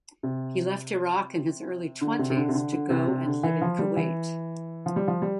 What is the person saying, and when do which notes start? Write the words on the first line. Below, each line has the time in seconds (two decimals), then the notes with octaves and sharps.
He left Iraq in his early twenties to go and live in Kuwait.
0.23 C3
2.01 D3
2.19 C3
2.30 C3
2.37 D3
2.49 C3
2.54 D3
2.72 D3
2.90 C3
3.08 C3
3.26 D3
3.43 E3
3.61 F3
3.79 G3
3.97 E3
4.86 F3
4.96 G3
5.08 F3
5.22 G3